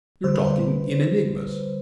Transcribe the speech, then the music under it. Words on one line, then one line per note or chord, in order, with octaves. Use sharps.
"You're talking in enigmas."
D3 G3 C5
B4
C5